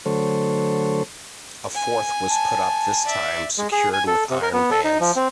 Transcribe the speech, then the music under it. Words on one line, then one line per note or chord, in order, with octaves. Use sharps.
A fourth was put up this time secured with iron bands.
D3 F#3 A3 A4 C5 C#5
G#5
A5
D5 E5
G#3
G#4
G#5
A4
C3
A#4
B3
A4
D#4
F3
C4